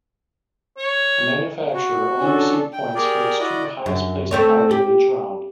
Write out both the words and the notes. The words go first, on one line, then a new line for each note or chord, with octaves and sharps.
A manufacturer only received points for its two highest placed cars in each round.
C#5
F#4
C#4 D4 A4
G5
G4 G#4 A#4 D5
E4 F#4 D5 D#5
F#2
A3 C4 C#5
G4